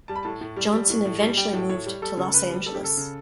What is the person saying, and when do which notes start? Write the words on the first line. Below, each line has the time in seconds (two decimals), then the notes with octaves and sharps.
Johnson eventually moved to Los Angeles.
0.08 G3 A5
0.16 B5
0.23 A2 A5
0.41 A2
0.57 G3
0.73 G3
0.90 A2
1.05 A2
1.21 G3
1.37 G3 G5
1.53 A2
1.69 A2 C#5
1.86 G3
2.02 G3 A4
2.17 C#3
2.34 C#3 B4
2.50 G3
2.66 G3 A4
2.75 G4
2.82 C#3 A4
2.97 C#3